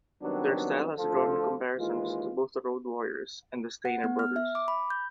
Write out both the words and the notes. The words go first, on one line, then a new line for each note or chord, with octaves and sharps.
Their style has drawn comparisons to both the Road Warriors and the Steiner Brothers.
D#3 F#3 G3 B3 C4 D4
D2 F3 F4 A4
D#2 E3 G#3 F4
F#5
B3
F6
E5
D6
B5
G6